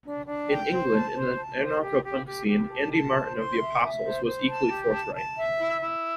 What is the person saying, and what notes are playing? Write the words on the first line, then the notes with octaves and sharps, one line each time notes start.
In England, in the anarcho-punk scene, Andy Martin of The Apostles was equally forthright.
D4
D4
G5
C5
A5
C5
A5
C5
G4
G4
G4
G4
A5
A5
C5
C6
E5
E5
C5
C5
A5
G4
A5
A5
E5
E4
E4